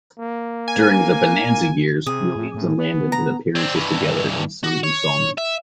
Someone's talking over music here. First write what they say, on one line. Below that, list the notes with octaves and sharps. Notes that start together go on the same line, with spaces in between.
During the "Bonanza" years, Williams and Landon did appearances together in some installments.
A#3
G#5
C3 G#4
A2
A2
B3
A#5
C4 D4
G2 E3
F#4
C#5
E5